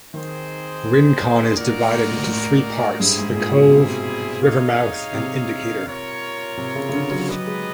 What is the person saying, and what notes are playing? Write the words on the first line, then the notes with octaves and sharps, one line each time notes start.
Rincon is divided into three parts: the Cove, Rivermouth, and Indicator.
D#3 C4 D#4 G#4 C5
A#2 A#3 D#4 F#4 A#4 D5
A2
A2
A2
G2 G3 C4 E4 G#4
G#2
A#2
B2
C3
D#4 G#4 C#5 F5
C3
F4 A#4 C#5
C3
C#3
C#3
D3
F#3
F#3 B3 D#4 G4 B4 D#5
G#3